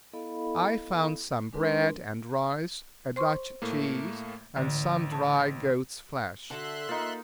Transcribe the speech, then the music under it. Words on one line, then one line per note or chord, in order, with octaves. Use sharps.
I found some bread and rice, a Dutch cheese, and some dry goat's flesh.
B3 E4 A4 D#5 F5 B5
G#3 D4 A#4 B4 C6
C5 C6 C#6
A2 A3 A#3
A1 D3
A5
D3 F#4 A4 E5 C6 F#6
A#3 D#4 F4